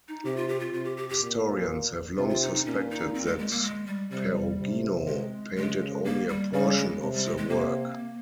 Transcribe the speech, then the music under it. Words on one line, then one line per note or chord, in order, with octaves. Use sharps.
Historians have long suspected that Perugino painted only a portion of the work.
D#4
C3 G4
F4
G4
F4
C3 F4
G4
G4
G4
A#2
C3 F4
F4
D#4
D#4
A#2 C#4
D#4
C4
G#3
G#3
A#3
G#3
G3
C3 G3
C3
G#3
C#3 G#3
A#3
G3
C#3 G3
G#3
C3 G#3
G3
G#3
G#3
C3 A#3